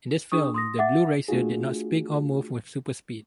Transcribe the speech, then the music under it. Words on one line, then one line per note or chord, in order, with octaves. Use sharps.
In this film, the Blue Racer did not speak or move with super speed.
D4 G#4 C#6 D#6
C6 D#6 A#6
E5 F#5 D6 A6
A3 D4 F4 F#4 G#4